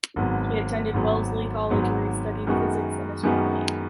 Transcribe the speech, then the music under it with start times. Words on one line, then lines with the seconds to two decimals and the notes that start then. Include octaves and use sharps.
He attended Wellesley College, where he studied physics and astronomy.
0.16 G#1 G#2 F#3 B3
0.94 G#1 G#2 F#3 B3
1.70 G#1 G#2 F#3 B3
2.47 F#2 D#3 G#3 B3 F#4
3.23 F#2 D#3 G#3 B3 F#4